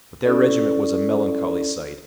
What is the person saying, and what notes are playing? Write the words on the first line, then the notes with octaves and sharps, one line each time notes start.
But their regiment was a melancholy sight.
C#4 E4 A4 D5